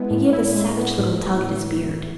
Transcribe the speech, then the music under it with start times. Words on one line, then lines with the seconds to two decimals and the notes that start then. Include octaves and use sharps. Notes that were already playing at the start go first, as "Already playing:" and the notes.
He gave a savage little tug at his beard.
Already playing: G#3 B3 E4
0.11 A2
0.33 E4
0.55 G#3
0.77 B3
0.98 A2